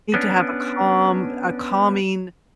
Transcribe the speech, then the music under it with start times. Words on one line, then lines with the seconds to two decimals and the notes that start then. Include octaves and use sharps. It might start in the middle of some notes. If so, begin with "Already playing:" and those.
You need to have a calm a calming
0.14 B3 C#4 D4